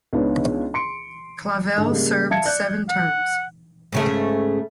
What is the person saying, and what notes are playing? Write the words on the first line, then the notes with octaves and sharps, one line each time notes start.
Clavelle served seven terms.
C#2 B3 D4 D#4 B4 C#5
C6 C#7 D7
G#2 D3
C#3 G3 G#3 A#3
E5 F5 A5 G#6 C#7
D5 F#6 G6
F#5
G#2 C#3 A3